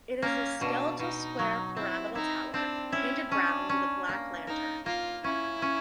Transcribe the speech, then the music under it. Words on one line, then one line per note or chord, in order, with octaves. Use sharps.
It is a skeletal square pyramidal tower, painted brown, with a black lantern.
A#3 C#4
B2 D4
B2 D#4
F#3
C4 E4
D#4 E4
C4 D4
C#4 E4
C#4 D4
C#4
A#3
D#4 A#4
A#3 F4
C#4 E4
C#4